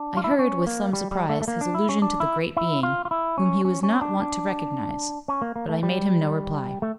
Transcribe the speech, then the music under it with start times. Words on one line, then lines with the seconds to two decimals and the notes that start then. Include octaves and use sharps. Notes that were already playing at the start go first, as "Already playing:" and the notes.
I heard, with some surprise, his allusion to the Great Being, whom he was not wont to recognise; but I made him no reply.
Already playing: D4
0.17 F4
0.24 E4
0.31 D4
0.39 C#4
0.67 A#3
0.93 G3
1.11 G3
1.29 A3
1.42 A3
1.48 A#3
1.61 D4
1.74 E4
1.89 C#4
2.02 D4
2.20 E4
2.57 E4
2.83 F4
3.05 F4
3.11 E4
3.38 C#4
3.65 C#4
3.83 C#4
4.01 D4
4.20 D4
5.28 C#4
5.42 A#3
5.56 A#3
5.69 A3
5.83 G3
6.82 A3